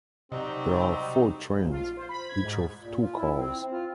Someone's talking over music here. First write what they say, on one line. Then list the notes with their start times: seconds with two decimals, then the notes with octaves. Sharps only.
There are four trains, each of two cars.
0.32 C3 F#3 G3 C4 D#4
1.57 A#1
1.70 F4
1.97 C5
2.09 B5
2.29 G#6
2.43 G#2
2.79 A#2
3.02 F4
3.15 E4
3.37 C4
3.71 F4